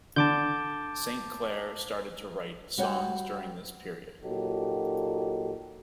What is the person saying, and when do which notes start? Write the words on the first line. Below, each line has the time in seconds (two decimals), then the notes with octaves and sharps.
Saint Clair started to write songs during this period.
0.16 D3 A5 D6 G6
2.78 G3 F#4 C#5 F#5 G5
4.25 A#2 F#3 D#4 F#4 G4 A4